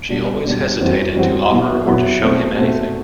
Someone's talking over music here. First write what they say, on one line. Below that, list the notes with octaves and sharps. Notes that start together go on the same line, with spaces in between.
She always hesitated to offer or to show him anything.
B2 G3 D4
B2 G3 D4
F#2 E3 G3 C4 F#4
F#2 E3 G3 C4 F#4
B2 F#3 B3 E4
B2 F#3 B3 E4
B2 A3 C4
B2 A3 C4